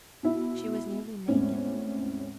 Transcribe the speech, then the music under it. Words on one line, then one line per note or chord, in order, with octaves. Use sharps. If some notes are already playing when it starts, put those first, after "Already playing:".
She was nearly naked.
B2 E4
E2 A2 G#3 C4 C#4